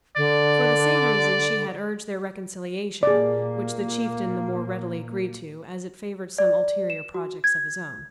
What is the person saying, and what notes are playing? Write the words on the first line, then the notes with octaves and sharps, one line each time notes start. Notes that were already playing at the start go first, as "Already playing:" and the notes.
For the same reason she had urged their reconciliation, which the Chieftain the more readily agreed to as it favoured some ulterior projects of his own.
D3 D5
A#2 A#3 G#4 D5
D5
E7
F#4
G#6